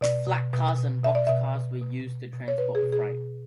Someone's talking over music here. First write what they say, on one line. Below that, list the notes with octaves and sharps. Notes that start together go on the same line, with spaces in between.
Flatcars and box cars were used to transport freight.
B2 D5
B2
B2
B2
B2 E5
D5
B2 E5
B2
B2
B2
B2
C#5
B2 B4
G#4
B2
G#4
B2